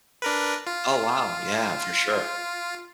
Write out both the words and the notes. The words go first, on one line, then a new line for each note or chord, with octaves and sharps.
Oh, wow. Yeah, for sure.
D4 A#4 B4
F4